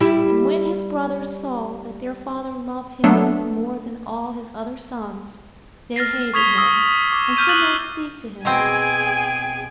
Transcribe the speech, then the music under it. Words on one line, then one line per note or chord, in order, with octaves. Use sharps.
And when his brothers saw that their father loved him more than all his other sons, they hated him, and could not speak to him.
G3 E4
F#3 A3 B3 D4 A4
F6 A6 A#6 C7
C#6 D#6 G#6 B6 F7 G7
C#6 D#6 E6
D6
F6 G6 D#7
D#6 F#6 A6 F#7 G7
B2 C4 G#4 G5 G#5